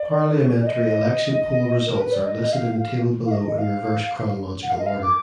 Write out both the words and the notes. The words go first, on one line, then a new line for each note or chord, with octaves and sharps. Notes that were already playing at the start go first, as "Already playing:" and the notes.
Parliamentary election poll results are listed in the table below in reverse chronological order.
Already playing: D5
D5
D#5
A#4
B4
D5
D#5
D#5
F5
F5
F5
D#5
D#5
F5
F#5
F5
D#5
F5
D6